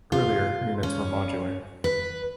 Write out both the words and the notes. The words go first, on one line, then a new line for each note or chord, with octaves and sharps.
Earlier, units were modular.
F4
C#4
B4